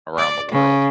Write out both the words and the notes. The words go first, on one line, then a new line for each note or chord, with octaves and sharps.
around the world.
D5
C#3